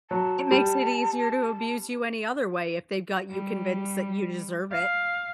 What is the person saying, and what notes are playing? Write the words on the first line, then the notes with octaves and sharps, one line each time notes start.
It makes it easier to abuse you any other way if they've got you convinced that you deserve it.
F#3 A5
G3
G3
F5